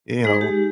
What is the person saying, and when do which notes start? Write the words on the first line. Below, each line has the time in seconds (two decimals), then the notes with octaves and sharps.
you know,
0.24 G#3 D#4 G#4
0.41 G4